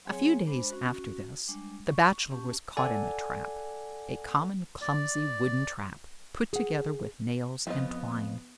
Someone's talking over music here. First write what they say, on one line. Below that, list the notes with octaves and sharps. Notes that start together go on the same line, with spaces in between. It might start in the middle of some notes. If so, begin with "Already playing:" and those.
A few days after this, the Bachelor was caught in a trap--a common, clumsy, wooden trap, put together with nails and twine.
F#3 C4 G#4 C#5 G#5
G#3 D4 C5 B5
C#4 F#4
G3 G#3 D4
C#6
C#4 G4 A5 C#6
A4 D5 F#5 G#5
D5
G#4 F#5
F2 F3 B3 F4 D#5